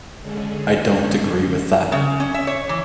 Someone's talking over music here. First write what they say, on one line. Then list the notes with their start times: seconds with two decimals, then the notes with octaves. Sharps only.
I don't agree with tha.
0.21 D3 G#3 C#4 G#4 A4
1.92 C#3
2.20 C#4
2.34 E5
2.47 C#5
2.69 E3